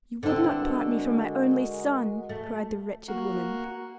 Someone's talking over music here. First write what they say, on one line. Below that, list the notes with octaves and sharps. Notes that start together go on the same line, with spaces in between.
"You would not part me from my only son!" cried the wretched woman.
D3 B3 C4 E4 A4
G#3 F#4 A#4
A3
A#3 F#4